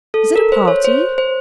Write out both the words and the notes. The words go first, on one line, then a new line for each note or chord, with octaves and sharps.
Is it a party?
A4
A#4
C5
C#5
C5
C5